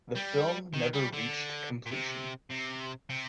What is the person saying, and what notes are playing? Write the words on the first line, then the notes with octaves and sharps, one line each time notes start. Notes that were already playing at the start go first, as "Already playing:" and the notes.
The film never reached completion.
G3
D#3
G3
D3
A#2
C3
C3
C3